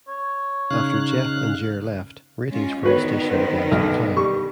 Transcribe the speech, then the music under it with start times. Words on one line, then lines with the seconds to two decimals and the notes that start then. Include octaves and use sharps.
After Jeff and Jer left, ratings for the station began to decline.
0.08 C#5
0.71 C#3 D#4 F5 F#6
2.51 G#3 C#4 F4
2.83 D3 D#3 B3 F#4 B4 C#5
3.30 B4 C5
3.71 B1 F6
4.16 G3 C#6